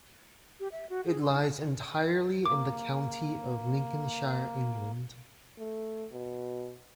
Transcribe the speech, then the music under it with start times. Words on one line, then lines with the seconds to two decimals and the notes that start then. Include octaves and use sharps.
It lies entirely in the county of Lincolnshire, England.
0.60 G4
0.72 E5
0.90 F#4
1.07 G#4
1.21 C6
1.33 D4
2.46 A#3 D6
5.58 A3
6.12 B2